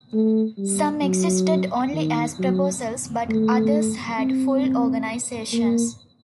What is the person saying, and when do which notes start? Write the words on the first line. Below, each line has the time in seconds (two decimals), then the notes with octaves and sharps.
Some existed only as proposals, but others had full organizations.
0.13 A3
0.58 G3
1.03 F#3
1.93 D#3
2.39 F#3
3.29 A3
4.18 C4
5.53 A#3